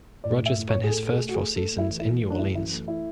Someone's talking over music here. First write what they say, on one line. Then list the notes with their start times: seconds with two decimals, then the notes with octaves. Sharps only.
Rogers spent his first four seasons in New Orleans.
0.24 A2 D5
0.40 A2
0.46 E5
0.58 A2
0.69 C#5
0.74 A2
0.84 G#4
0.90 A3 A4
1.05 A3 A4
1.13 G#4
1.23 A3
1.29 F#4
1.35 G#4
1.40 A3
1.56 A3 A4
1.72 A3
1.78 E4
1.90 E3
2.00 E4
2.06 E3
2.22 A3
2.30 D4
2.39 F#2 E4
2.55 E3 E4
2.72 A3
2.88 E4